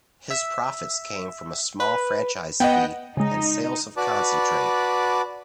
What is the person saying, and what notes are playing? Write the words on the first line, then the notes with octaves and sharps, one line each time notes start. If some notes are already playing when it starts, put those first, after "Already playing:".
His profits came from a small franchise fee and sales of concentrate.
E5
B4
B3 D#5 F#5 G5
C#3 G#3 D#4
F#4 B4 D5 A5 B5 D6